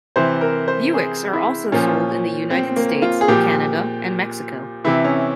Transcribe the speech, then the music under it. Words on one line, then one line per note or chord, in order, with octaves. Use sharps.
Buicks are also sold in the United States, Canada, and Mexico.
C3 E3 C5
A#4
C5
G#4
E4
A#2 F3 C#4
C4
A#3
F4
G#4
A#2 F3 G4
C3 E3 E4
C#4